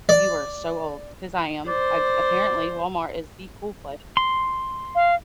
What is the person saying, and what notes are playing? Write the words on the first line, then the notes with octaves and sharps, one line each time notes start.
you are so old," 'cause I am. A Apparently, Walmart is the cool place.
D5
C5 D5
C6
F5